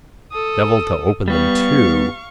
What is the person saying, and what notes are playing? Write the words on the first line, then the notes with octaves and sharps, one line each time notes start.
Devil to open them too.
A4 D#6
G3 B3 F5 C#6